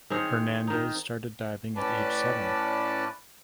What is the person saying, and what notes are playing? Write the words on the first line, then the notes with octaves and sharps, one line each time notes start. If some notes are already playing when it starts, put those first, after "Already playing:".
Hernandez started diving at age seven.
D#3 C4 G#4 C#5
D#3 D#4
A2 C#4 B4 D5 A5